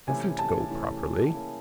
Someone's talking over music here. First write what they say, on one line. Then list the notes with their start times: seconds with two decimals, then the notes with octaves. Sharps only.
Doesn't go properly.
0.08 C3 E3 A3 C#4 E4 G#5
0.39 A5
0.70 C3 E3 A3 C#4 E4
1.33 A#3 C#4 E4 G#4